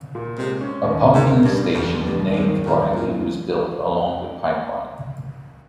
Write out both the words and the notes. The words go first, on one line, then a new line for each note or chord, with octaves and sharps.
A pumping station named "Riley" was built along the pipeline.
A#2
C3 G#3
C#4
D#2
A#3
G#2
C#3
G2
G3
F1 F2
F1
G2
D#2
G#2
D#3
D#2 A#2
C4
A#2
C#3